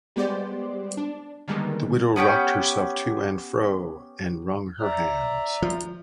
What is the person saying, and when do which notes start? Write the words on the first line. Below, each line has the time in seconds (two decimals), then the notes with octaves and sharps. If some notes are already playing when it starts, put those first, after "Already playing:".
The widow rocked herself to and fro, and wrung her hands.
0.16 G3 G#3 B3 G4 C5 D5
0.97 D4
1.48 D3 D#3 G3 G#3 A#3 B3
2.16 B3 C#4 G4 G5
4.81 D5 E5 A#5
5.62 F3